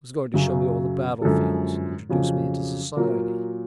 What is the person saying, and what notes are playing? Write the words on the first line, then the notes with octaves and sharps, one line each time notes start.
He was going to show me all the battle-fields, and introduce me into society.
F#2 C#3 F#3
F#2 D3 F3 G#3 A4
F2 C#3 F#3
A#2 F#3 A#4